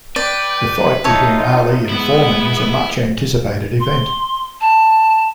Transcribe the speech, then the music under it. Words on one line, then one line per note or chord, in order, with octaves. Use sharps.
The fight between Ali and Foreman was a much-anticipated event.
B4 D5 G5
D#4 F4 C#5 E5 A5
G#3 B3 E4
C6
A5